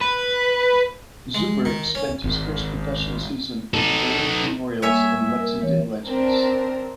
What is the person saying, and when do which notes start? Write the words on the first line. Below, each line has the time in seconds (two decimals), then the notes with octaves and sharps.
Zuber spent his first professional season with the Burlington Royals and Lexington Legends.
0.01 B4
1.35 G#3
1.65 D#3
1.95 C#4
2.24 G#1
3.74 D#4 A4
4.82 G3 A#3 C#5 E5 G#5
5.40 A#4
5.62 E3 C#5
6.05 C4 D4 A#4